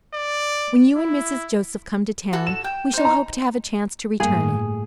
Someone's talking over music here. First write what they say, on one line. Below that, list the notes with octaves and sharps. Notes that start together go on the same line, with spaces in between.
When you and Mrs. Joseph come to town we shall hope to have a chance to return it.
D5
E4
F#4 A4
E7
G5
D#4 C5
A#5
G1 A2 G3 A3 A#3 G#4